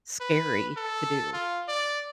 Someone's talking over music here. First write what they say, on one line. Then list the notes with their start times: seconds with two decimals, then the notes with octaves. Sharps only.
scary to do,
0.21 B4
0.77 A4
1.33 F4
1.69 D5